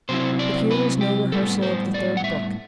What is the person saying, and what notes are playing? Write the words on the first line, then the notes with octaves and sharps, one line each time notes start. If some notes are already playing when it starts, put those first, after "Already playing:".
But here is no rehersal of the third book.
C3 F#3 C4 E4 C5
D5
B4
G4
A2 G3 B3 A4
C5
D5
F#5
E5